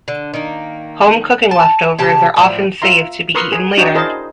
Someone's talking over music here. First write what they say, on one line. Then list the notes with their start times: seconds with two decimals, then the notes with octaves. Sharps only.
Home cooking leftovers are often saved to be eaten later.
0.08 D3
0.34 D#3 A#3
1.51 A5
1.98 C#3 G4 A5
2.36 A2 F3 D5
2.82 F4 E5 A#5 C6
3.35 A#4 B4 C6 C#6 D#6 E6
3.52 G#4
3.77 D4 D#4 F#4 C#5 G5
3.94 E4 G#4 A#4 C5 D#5 A5